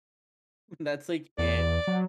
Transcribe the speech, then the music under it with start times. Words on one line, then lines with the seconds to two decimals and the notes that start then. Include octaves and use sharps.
that's, like, it.
1.38 E2 D5
1.87 F#3